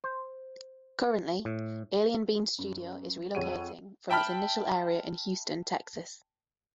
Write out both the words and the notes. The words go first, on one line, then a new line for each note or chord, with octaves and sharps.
Currently, Alien Beans Studio is relocating from its initial area in Houston, Texas.
C5
A2
F#2
F2 G#4 C#5 F#5 D#7
E5 G5 A5 B5 F6